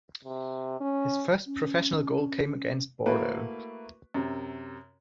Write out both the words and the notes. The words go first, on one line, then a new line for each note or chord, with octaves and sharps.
His first professional goal came against Bordeaux.
C3
C#4
C#4
A3 A#3 E4 F#4 B4
F#2 C3